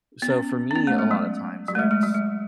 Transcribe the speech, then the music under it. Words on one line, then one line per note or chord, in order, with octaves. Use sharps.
So for me, a lotta times, it's
B3
C#4
C#4
B3
A3
G#3
F#3
F#3
A3
G#3
G#3
F#3
G#3